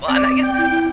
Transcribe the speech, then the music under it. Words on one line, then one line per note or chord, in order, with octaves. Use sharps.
Well and I guess
C4 D5
G5
E4
E4